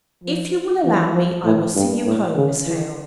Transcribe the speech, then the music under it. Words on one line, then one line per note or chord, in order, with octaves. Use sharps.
'If you will allow me, I will see you home, Miss Hale.
F3
E3
F3
A2
G2
A2
C#3
E3